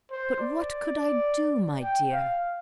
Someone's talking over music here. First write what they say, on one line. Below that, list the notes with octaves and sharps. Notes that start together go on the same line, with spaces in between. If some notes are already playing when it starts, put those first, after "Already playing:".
'But what could I do, my dear?
C5
D5
G5
F5